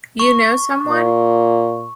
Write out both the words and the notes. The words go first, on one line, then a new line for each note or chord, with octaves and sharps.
You know someone?
C#6
A#2